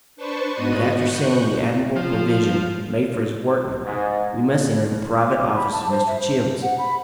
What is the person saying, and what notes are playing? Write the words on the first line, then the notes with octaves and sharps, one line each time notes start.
But after seeing the admirable provision made for his workmen, we must enter the private office of Mr. Childs.
D4 B4 C5 A5 C#6
G#2 B3 F#4 B4 D#5 D#6
C#6 F#6 G6
F3
G#2
D6
D6
B5
A5
C5
E5
C5
C5
F#5
B5